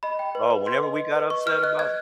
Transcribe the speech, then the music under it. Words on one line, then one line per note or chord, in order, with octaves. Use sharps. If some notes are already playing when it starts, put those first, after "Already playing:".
Oh, whenever we got upset about the
D#5 B5
G5
B4
B4
B4 C6
D#5
D#5
B4
D#5 C#6
B4 F6
D#5 F#6
D#5 G#6